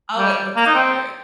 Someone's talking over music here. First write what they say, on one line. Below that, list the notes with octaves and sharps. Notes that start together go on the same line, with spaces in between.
Oh, it looks so good.
G3
A#3
D#4
C4